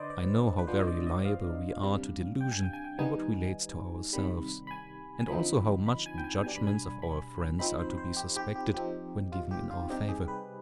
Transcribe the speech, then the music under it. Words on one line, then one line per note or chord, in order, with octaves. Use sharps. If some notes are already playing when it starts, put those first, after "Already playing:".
I know how very liable we are to delusion in what relates to ourselves, and also how much the judgments of our friends are to be suspected when given in our favor.
Already playing: D3 D4 B4 C5 D5 D#5
D5
B4
F3 B3 D4 C5
D#5
D5
D#5
F5
C3 G3 D4
G5
G#5
G5
G#5
G5
D#3 G3 B3 D#4 G#5
C3 D#3 G3 B5
B5
G#5
G#5
D3 F3 C4 D#4 B5
B5
G#5
G5
G#5
B2 G3 D4 G#5
B5
G#5
B5
F3 C4 D#4 B5
C5
C5
G4
G4
G4
F3 C4 D#4 G4
F4
G4
F4
C3 G3 C4 D#4 G4
G#4
B4